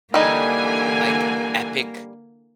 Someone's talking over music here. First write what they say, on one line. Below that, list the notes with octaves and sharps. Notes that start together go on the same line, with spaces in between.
like, epic
D3 E3 G3 A#3 D#4 G#5